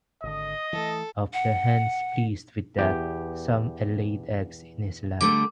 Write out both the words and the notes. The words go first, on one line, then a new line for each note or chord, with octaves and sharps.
Of the hens pleased with that, Some laid eggs in his lap.
G#1 D3 D#5
E3 F3 A3 A4
F#5
E2 G4
D3 G3 A3 D6